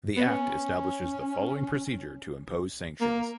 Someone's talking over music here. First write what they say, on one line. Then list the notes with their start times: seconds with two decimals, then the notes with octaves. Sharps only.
The act establishes the following procedure to impose sanctions.
0.17 B3
0.27 C#4
3.01 A#3